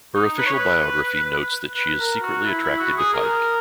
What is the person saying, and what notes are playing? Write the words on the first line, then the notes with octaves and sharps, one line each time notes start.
Her official biography notes that she is secretly attracted to Pike.
D#4
B4
C#5
B4
B4
A#4
F#4
E4
E4
F#4
G#4
A#4